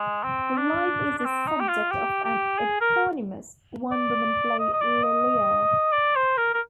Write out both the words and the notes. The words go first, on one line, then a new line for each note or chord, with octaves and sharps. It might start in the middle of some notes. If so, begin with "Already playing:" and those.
Her life is the subject of an eponymous one-woman play Lilia!
Already playing: G#3
C4
D4
D4
C4
D#4
G4
F4
G4
G4
G#4
A#4
D5
D#5
D#5
D5
D#5
D5
C5
A#4
A#4